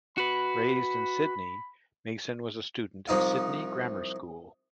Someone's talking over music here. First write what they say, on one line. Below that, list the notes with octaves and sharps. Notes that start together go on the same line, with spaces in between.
Raised in Sydney, Mason was a student at Sydney Grammar School.
F#4 B4 B5
C2 F3 D#4 F5